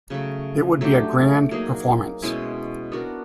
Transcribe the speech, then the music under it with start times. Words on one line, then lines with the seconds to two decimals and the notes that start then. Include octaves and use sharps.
It would be a grand performance.
0.10 C#3 F#3 A3
0.81 F#3 A3 D4 G4
1.51 F#3 A#3 D#4 G#4
2.22 B2 G#3 C#4 E4
2.92 B3 D4 F#4 A#4